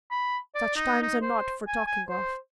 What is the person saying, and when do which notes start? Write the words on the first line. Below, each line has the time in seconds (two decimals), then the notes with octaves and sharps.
Such times are not for talking of.
0.11 B5
0.55 D5
0.76 D#4
1.02 D#4
1.22 C5
1.68 G#5
1.87 G#5
2.09 C5